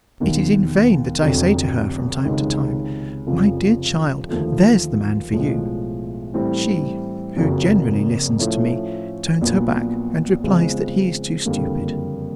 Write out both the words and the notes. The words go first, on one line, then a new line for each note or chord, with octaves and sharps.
It is in vain that I say to her from time to time, 'My dear child, there's the man for you.' She, who generally listens to me, turns her back and replies that he is too stupid.
E1 D#2 D#3
F1 F2 D3 F#3
C#2 C3 D#3 G#3 C#4
F1 F2 C#3 F3
D#2 D3 F3 A3
B1 A2 F3 G#3
A2 E3 G3 C4
F#1 F2 C#3 F#3
A2 F3 A3 C#4 E4
A#1 A#2 F#3 B3
E2 C#3 F3 G#3 C4
F#1 F2 D3 G3 A#3